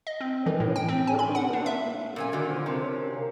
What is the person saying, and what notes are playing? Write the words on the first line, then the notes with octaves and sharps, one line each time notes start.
airplane airplanes are not meant for me, yeah.
D#5
C4
E3
A2
G5
C4
G#5
B5
F#5
D4
E5
A#2 C#4 A#4 G#5
A#2 D3 D#3 F#4
F3
C3 A#4
C#4
A#3